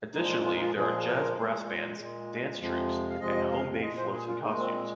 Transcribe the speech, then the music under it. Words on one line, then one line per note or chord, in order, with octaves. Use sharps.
Additionally, there are jazz brass bands, dance troupes, and home-made floats and costumes.
A#2 F3 G#3 D#4
F4
F4
D#4
F4
A#2 F3 G#3 G#4
A#4
A#2 G#3 G#4
A#2 G#3
F2 C3 F3 G#3
F5
F2 C3 F3 G#3 D#5
F5
F5
A#2 G#3 D#5
C5
G#4
F4
A#2 G#3 D#4
C4
C4